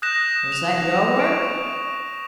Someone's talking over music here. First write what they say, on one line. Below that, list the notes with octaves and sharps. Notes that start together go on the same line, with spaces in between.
"Was that your work?"
D#6 F#6 G6 A#6 E7
F7
C#6 D7